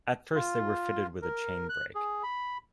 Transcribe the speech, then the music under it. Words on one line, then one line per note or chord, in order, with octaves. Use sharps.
At first they were fitted with a chain brake.
F4
A#4
F#6
G#4
B5